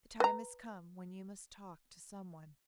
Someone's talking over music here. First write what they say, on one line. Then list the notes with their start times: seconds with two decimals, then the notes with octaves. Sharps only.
"The time has come when you must talk to some one."
0.20 B4 A#5